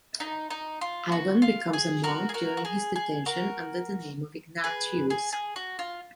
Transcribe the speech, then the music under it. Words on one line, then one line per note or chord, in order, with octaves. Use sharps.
Ivan becomes a monk during his detention, under the name of Ignatius.
D#4
D#4
F4
F#4
F4
G#4
F#4 A#4
G#4
F#4 A#4
F#4
G#4
G#4
F#4 A#4
G#4 B4
G#4
G#4
F#4
F4